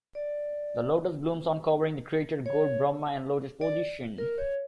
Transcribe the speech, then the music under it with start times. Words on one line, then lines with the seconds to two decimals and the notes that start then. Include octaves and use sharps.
The lotus blooms uncovering the creator god Brahma in lotus position.
0.15 D5
2.46 C#5
3.61 D5
4.18 A#4
4.38 C#5